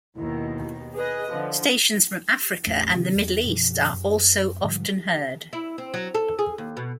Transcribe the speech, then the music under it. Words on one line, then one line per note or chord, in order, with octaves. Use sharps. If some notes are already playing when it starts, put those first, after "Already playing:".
Stations from Africa and the Middle East are also often heard.
D#2 B2 D#3 E4
G#4 B4 D#5
D3 F3
A1 E2 A3 C#4
C3 D#3 F#3
E2
F#2 B2 F3
F#2
G#2 D3 F3 G3
E4
C4
F#3
A4
G#4
D#2
B2